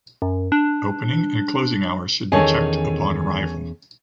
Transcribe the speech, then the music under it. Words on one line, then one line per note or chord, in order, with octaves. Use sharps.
Opening and closing hours should be checked upon arrival.
F#2
D4
E2 D#3 C#4 G#4 A4 C#5 D#5 G#5